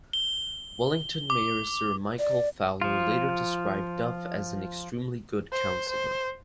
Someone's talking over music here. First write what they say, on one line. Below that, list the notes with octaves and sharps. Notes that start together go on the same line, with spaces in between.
Wellington Mayor Sir Michael Fowler later described Duff as an "extremely good" councillor.
G7
D6
D5
F3 F4
C5
C5